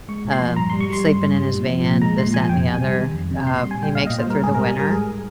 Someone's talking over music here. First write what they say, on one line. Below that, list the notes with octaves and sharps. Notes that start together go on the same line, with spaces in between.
uh, sleeping in his van, this, that, and the other, uh, he makes it through the winter,
G#3 C#6
A#2
C6
F3
G2 A#5
C6
G3
C#6
G3 C6
G2
G2
G3
A#2
F3
A#2
G#3 A#5
A#2 C6
F3 G#5
F2 G5
C3
G#5
G3
D#3
F2
C3
A#2 C6
C6
G3
G#5
G3 G5
A#2 F5
D#5
A#2
C5
G3 A#4
G#2 G#4
A#4
G3
G#5
G3 A#4
G#2 G#4